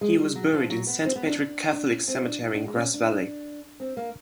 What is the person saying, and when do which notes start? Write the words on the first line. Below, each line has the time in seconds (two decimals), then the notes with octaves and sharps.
He was buried in Saint Patrick Catholic Cemetery in Grass Valley.
0.01 G#3
0.18 G3
0.35 F#3
0.53 F3
0.70 F#3
0.87 B3
1.05 C4
1.16 B3
1.27 D4
1.39 D4
1.73 D4
1.91 C#4
2.08 C4
2.25 D4
2.42 D#4
2.54 D4
2.65 G#3
2.76 C#4
2.94 D4
3.11 D4
3.80 C4
3.97 A#3